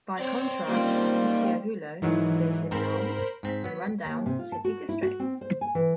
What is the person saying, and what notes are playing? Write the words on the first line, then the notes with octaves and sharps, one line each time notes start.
By contrast, Monsieur Hulot lives in an old and run-down city district.
C4 C#5 D5
D#3 G3 A#3 C#4 F4
G#2 D#3 E3 F#3
G#2 C4 A#4 C5 B5
G#2 C4 B6
F#3 B3
D#2
C3
F4
A5
F#4
E4
F#4
C4
C5
G#5
E3